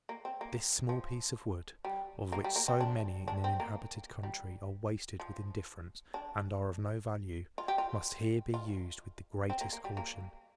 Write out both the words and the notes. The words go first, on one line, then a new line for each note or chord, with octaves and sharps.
This small piece of wood, of which so many in an inhabited country are wasted with indifference and are of no value, must here be used with the greatest caution.
A#3
C4
A#3
F3
G3
A#3
G3
A#3
C4
D4
D4
C4
A#3
G3
F3
D4
F4
G4
F4
F4
C4
A#3
A#3
G3
A#3